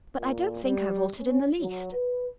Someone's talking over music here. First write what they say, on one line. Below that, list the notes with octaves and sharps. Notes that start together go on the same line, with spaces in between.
But I don't think I've altered in the least.'
A#2
G3
C#4
F#3
B4